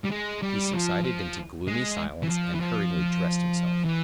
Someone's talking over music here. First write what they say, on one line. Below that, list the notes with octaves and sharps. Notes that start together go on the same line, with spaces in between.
He subsided into gloomy silence and hurriedly dressed himself.
G3
G#3
G3
F3
F3
G#3
E3
F3
E3
F3
E3